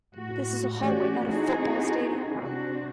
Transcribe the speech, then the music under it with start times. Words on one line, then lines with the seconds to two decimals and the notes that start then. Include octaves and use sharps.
This is a hallway, not a football stadium!
0.18 A2 F#4
0.77 E3 A3 C#4 F#4 G4 D5
1.28 C4 D#4 E4 F#4 G#4 A4
2.38 C3 C4 D4 F#4